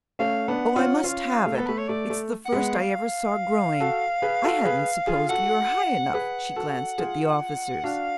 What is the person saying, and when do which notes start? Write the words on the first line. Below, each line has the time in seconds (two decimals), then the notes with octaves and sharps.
'Oh, I must have it--it's the first I ever saw growing; I hadn't supposed we were high enough.' She glanced at the officers.
0.19 A3 C#4 F5
0.48 B3 D4 F#5
0.76 C#4 F4 F#5
1.04 C#4 F4 F5
1.46 A3
1.55 B3 A4
1.66 A3 B4
1.78 C#5
1.89 A3 D5
2.10 A3
2.45 F#5
2.52 G#3 B3
2.74 F5
3.80 F#4 A4
4.22 G#4 B4
4.44 F#4 A4
4.65 G#4 B4
5.07 F4 G#4
5.29 F#4 A4 F#5
6.14 G#4 B4 F#5
6.56 F#4 A4
6.98 F4 G#4
7.84 D4 F#4 F5